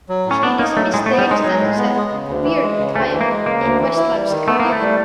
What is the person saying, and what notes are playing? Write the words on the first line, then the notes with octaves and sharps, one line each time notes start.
He dismissed the instance as a "weird time" in Westlife's career.
F#3
A2 C#4
B3 D4
A#3 D#4
F#3 A3
A2 G#3
A3
B3
G3
G#3 D#4
F#3 G#3
A2
B3
G#3
C#3
D2
E3
G#3
C#3
D2 A3
E3
A#3
G#3
C#3 A#3
D2
E3
E4
G3
D#3
A3 B3
A#3 E4
A3
G3